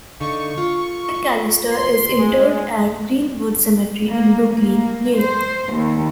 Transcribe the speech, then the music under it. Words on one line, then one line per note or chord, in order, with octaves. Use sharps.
McAllister is interred at Green-Wood Cemetery in Brooklyn, New York.
D3 D#4 F5 C#6
F4
C6
G#3
A#3
A#3
C5
D#2